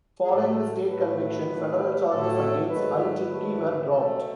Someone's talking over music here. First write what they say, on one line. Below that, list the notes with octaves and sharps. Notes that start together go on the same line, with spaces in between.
Following the state conviction, federal charges against Al-Turki were dropped.
G#4
A2 F#3 A3 A4
A4
A2 F#3 A3 B4
A2 F#3 A3
A2 F#3 A3 A4
G#2 D#3 F#3 A3 B4
B4
G#2 D#3 F#3 A3
B2 F#3 A3 A4